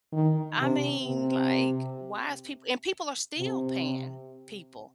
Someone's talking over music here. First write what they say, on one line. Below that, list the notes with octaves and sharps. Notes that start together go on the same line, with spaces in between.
I mean, like, why is people and people are still paying people.
D#3
C3
C3
C3